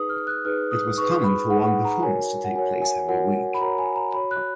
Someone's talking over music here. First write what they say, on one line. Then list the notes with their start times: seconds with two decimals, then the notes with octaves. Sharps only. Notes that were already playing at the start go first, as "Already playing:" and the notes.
It was common for one performance to take place every week.
Already playing: D#4 G#4 B4 D#6
0.09 F6
0.27 F#6
0.45 D#4 G#4 B4 F6
0.71 D#6
0.98 D#4 G#4 B4 C#6
1.24 B5
1.50 D#4 G#4 B4 F#5
1.68 F#5
1.85 A#5
2.03 F#4 A#4 C#5 G#5
2.44 F#5
2.55 F#4 A#4 C#5 G#5
2.82 G#5
3.08 F#4 A#4 C#5 F#5
3.54 B5
3.61 F#4 A#4 C#5 A#5
3.78 G#5
3.96 A#5
4.14 F#4 C#5 B5
4.31 F#6